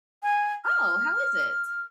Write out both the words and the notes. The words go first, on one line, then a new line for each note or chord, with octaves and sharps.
Oh, how is it?
G#5
F6